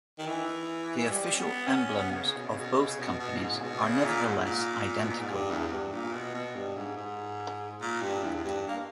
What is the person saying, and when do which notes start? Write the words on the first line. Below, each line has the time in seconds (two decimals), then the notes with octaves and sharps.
The official emblems of both companies are nevertheless identical.
0.18 D#3
0.27 E3
1.04 G#3
1.11 G3
1.34 C#4
1.39 B3
1.67 C#4
1.95 B3
2.11 B2
2.15 C#3
2.37 B2
2.48 C#3
2.58 B2
2.79 C#3
3.00 B2
3.20 B2
3.37 A#2
3.41 G#2
3.56 C#3
3.62 B2
3.83 C#3
4.04 A#2
4.25 G#2
4.46 A#2
5.00 B2
5.10 A#2
5.20 G#2
5.30 G2
5.50 E2
5.72 G2
5.92 A#2
6.13 B2
6.35 B2
6.55 G2
6.76 G#2
6.97 G#2
7.81 A#2
8.02 G2
8.23 E2
8.35 E2
8.44 G2
8.68 A#3